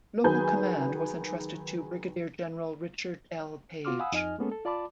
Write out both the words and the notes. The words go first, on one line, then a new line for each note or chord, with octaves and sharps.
Local command was entrusted to Brigadier General Richard L. Page.
D#3 F#3 G#4 B4 G#5 G6
B3 F4 F#4 C6 D6 F6
F5 F#5 G#5 B5 D#6 E6
F2 D#4 D#5 G#5 F6
G#3 A#3 B3 C#4 G#4 A4
A4
F4 D5 A5 B5 D6